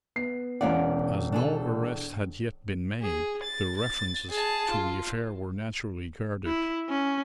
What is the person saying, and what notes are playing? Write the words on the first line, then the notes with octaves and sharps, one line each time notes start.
As no arrest had yet been made the references to the affair were naturally guarded.
B3 C7
E1 B2 C#4 D5 F5 F#5
D4 G#4 A4
G#4
A6
A6
G#4 A5
F4
E4
C#4